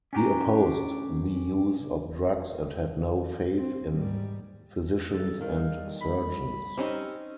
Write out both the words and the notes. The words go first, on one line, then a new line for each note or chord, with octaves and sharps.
He opposed the use of drugs and had no faith in physicians and surgeons.
C#4 D4 G4 G#5 A#5
C4
G#2 G3
G3 A4
D#3 F5
B5
C4 C#4 D#4 G4